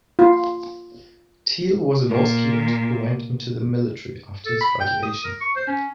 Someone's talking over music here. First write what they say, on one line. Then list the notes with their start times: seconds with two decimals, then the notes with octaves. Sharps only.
Teele was a law student who went into the military after his graduation.
0.19 F4
2.09 A#2
4.46 A4
4.61 B5
4.80 G5
5.03 D#6
5.25 A#4
5.40 C#6
5.56 C5
5.67 C#4